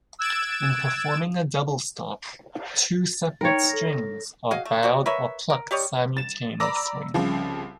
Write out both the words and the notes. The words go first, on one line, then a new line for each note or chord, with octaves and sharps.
In performing a double stop, two separate strings are bowed or plucked simultaneously.
E6 F#6 G#6 A6 D7 E7
A6
D#4 A#4 C#5 G5 A6
A4 A#6
F#4 G#4 D#5 F5
A3
C4 F#4 D5
A#4 B4 C#5 E5
A#4
G3 G4 C#5 D#5
A6 E7
D5 A#5 B5 D6 E6 A#6
C2 C#3 F3